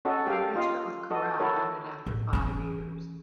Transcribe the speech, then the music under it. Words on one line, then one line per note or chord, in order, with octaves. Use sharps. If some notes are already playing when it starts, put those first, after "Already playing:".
The arrangement with Corel ended after five years.
C#4 F#4 A4 D#5
G4 A4 A#4 F5 G5
F4 D#5 F5
F#4 A4 D#5
E4 F#4 A4 A#4 C#5
A1
E3 C#4